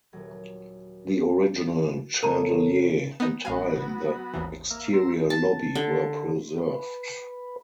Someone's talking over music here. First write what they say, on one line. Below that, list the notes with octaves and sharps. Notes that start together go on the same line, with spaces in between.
The original chandelier and tile in the exterior lobby were preserved.
D#1 F#3
C#3 A3 A#4 A5 A#5
B3 D#4
A1 F#3 B3 F#4 F5 G#5
G#1 D#2 E3
A#3 E5 F5
A#5 C6 E6
A5
D3
B4